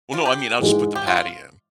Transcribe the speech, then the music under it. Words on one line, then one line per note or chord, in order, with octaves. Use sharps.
Well, no, I mean, I'll just put the patty in
F4
G4
G#2 E3 G#3
G4
F4
F4